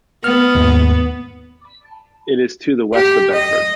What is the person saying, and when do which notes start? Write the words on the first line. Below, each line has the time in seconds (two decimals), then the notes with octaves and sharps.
It is to the west of Bedford.
0.24 B3 F6
0.55 D#2 G#2
2.94 G4
3.33 D#5